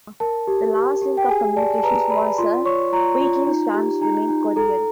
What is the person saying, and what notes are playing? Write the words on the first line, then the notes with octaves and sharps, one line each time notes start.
The last link of communications was a weekly swamp swimming courier.
A#4 A5
G4
G4
G4
G5
G#4 G#5
D5 A5
A5
B4 A#5
D5 B5
F4 C6
C#5 C#6
F4 A#5
F4
D#4
G4
D#4 A#5
D#4
A4 A#5